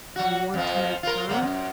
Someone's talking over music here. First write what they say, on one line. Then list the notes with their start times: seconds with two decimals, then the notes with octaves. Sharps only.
"Do you want to make terms?"
0.16 F#3 F#4
0.54 F2 F3
1.03 F4 A#4
1.29 C3 F#3 A#3
1.42 F#2